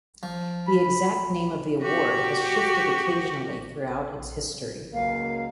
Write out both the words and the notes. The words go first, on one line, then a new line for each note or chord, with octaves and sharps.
The exact name of the award has shifted occasionally throughout its history.
F3
B5
F#4 G4
C#2 F#2 A#3 F5